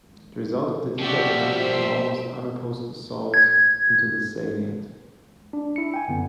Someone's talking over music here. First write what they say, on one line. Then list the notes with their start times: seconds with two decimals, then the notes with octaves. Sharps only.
The result of the detailed planning was an almost unopposed assault into the salient.
0.99 F3 G3 F#4 G4 D5 E5 G5
1.53 C5 G5
3.34 G#6
5.53 D4
5.76 E4 C#7
5.94 G5 G#5
6.08 F#2 D3 B3